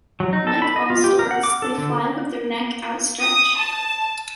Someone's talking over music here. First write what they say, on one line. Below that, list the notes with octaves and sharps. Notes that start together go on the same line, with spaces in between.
Like all storks, they fly with their neck outstretched.
F#3
D#4
A4
B5
D#5
F4
G4
A#4
F#5
D6
A4
D3
D#6
A5